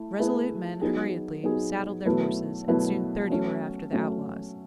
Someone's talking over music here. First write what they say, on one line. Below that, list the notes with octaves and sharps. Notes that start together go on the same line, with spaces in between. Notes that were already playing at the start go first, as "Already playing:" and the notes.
Resolute men hurriedly saddled their horses, and soon thirty were after the outlaws.
Already playing: A3 E4
A3 E4 G#4 B4
F#3 B3 D#4 G#4
F#3 B3 D#4 G#4
B2 F#3 A3 E4 B4
B2 F#3 A3 E4 B4
F#3 A3 C#4
F#3 A3 C#4